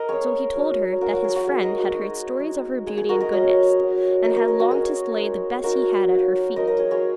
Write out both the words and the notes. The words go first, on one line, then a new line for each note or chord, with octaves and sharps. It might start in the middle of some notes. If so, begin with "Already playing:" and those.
So he told her that his friend had heard stories of her beauty and goodness, and had longed to lay the best he had at her feet.
Already playing: A#4 D#5 F#5
G#3 C#4 G#4 C#5
F#3 D#4
F#3 D#4 F#4 A#4
F#4
G#4
F#4
G#3 D#4 G#4
A#4 D#5
F#4
G#3 D#4
G#3 D#4
G#3 D#4 G#4
G#4
F#4 A#4
A#4 D#5
F#3 C#4 A#4 D#5
F#3 C#4
G#3 C#4 A#4 D#5
A#4 D#5
G#4 C#5
F#4
G#3 C#4 G#4
G#3 D#4
G#3 D#4 F#4 A#4
F#3 A#3 D#4
F#3 A#3 D#4 A#4 D#5
A#4 D#5
G#4 C#5
G#4 C#5